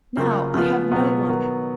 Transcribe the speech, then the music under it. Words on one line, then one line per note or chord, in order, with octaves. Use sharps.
Now I have no one.
C#3 F#3 A#3 F4
C#3 F3 B3 F4
B2 F#3 B3 F4 G#4
D#3 F#3 B3